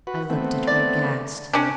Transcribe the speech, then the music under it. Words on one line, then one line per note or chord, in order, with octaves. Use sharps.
I looked at her, aghast.
F#4 B4
A3 B3 C4
D5
C3 C#4 D4